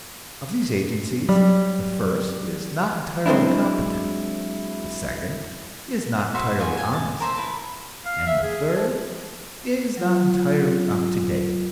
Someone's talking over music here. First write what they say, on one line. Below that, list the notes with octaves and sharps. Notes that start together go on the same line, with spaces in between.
Of these agencies, the first is not entirely competent, the second is not entirely honest, and the third is not entirely up to date.
F#3 G3
F#3 G#3 C4 D4 E4
F#4 B4 C5 E5
F4 F#4 G#5
G5 G#5
A5
A#4 C5 E5
E4 B4 A5
F5
E5
G#4
F3
F#3 F4